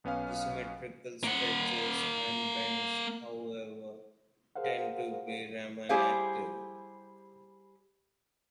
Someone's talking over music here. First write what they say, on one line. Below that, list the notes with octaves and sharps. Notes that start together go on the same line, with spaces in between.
Symmetrical stretches and bends, however, tend to be Raman active.
B1 B3 C#4 F5
A#3 F#5
G#4 A#4 C5 F5 F#5
G3 E4 G4 G#4 C5 F5